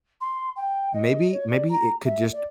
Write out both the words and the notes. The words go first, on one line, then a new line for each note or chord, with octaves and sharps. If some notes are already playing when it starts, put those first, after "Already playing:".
maybe maybe it could just
C6
G5
D#5
C#5
D5
A#5
E5
D5